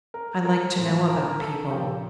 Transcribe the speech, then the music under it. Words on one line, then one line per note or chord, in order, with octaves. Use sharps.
I like to know about people.
A#4
A#4
A2 F3 C5
A#4
A#4
A4
A#2 F3 G4